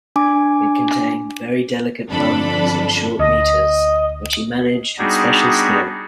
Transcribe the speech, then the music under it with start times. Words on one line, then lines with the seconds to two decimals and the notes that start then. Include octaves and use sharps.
It contained very delicate poems in short meters, which he managed with special skill.
0.16 D4 G#5 D6
2.09 G1 F2 D4 A4 B5
3.19 D2 D#5
4.98 G3 B3 D4 D#4 F#4 G#4